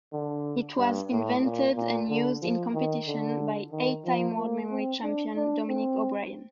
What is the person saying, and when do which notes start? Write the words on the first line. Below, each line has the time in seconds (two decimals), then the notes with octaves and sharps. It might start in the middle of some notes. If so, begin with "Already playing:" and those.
It was invented and used in competition by eight-time World Memory Champion Dominic O'Brien.
0.13 D3
0.78 G2
1.11 A2
1.43 A#2
1.76 A#2
2.09 D3
2.42 F3
2.74 D#3
3.07 D3
3.72 D#3
4.05 F3
4.38 A#3
4.71 C4
5.03 D4
5.36 D4
5.69 C4